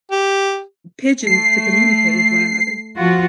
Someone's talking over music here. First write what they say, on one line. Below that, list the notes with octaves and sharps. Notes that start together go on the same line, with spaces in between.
pigeons to communicate with one another.
G4
A3 C7
F3 F4 F#4